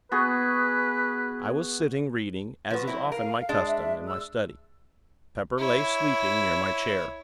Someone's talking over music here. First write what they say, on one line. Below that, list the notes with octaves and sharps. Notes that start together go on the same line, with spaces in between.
I was sitting reading, as is often my custom, in my study. Pepper lay, sleeping, near my chair.
B3 F#4 G#4 B4
F3 F#4 B4
F#3 C4 E4
A#4 F5
G#3 D4
E5
E6
E4 C#5